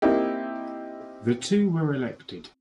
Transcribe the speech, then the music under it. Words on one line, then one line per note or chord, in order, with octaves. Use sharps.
The two were elected.
A#3 C4 D#4 E4 G4